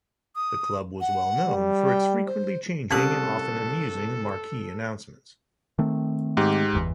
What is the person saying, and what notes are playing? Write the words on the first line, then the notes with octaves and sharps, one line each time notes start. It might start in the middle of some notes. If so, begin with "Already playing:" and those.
The club was well known for its frequently changing and often amusing marquee announcements.
D#6
F#5
G3
G5
C5
C2 C4 C#4 G4 A4 A5 D#6 F#6
D#3 A3 C4
G#2 G4
G1 E2 E3